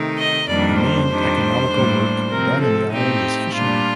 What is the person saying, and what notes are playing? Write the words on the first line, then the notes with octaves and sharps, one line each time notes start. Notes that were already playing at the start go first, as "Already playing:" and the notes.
The main economical work done in the island is fishing.
Already playing: C3 D#3 A3 D#4
D#5
F2 D#3 G3 A#3 D4 D5
C5
F2 D#3 G3 D4
A2 G3 A#3 D4
C3 F3 C4 A#4
A4
A2 A3 C4 D#4 G4
A#2 G3 D4 F4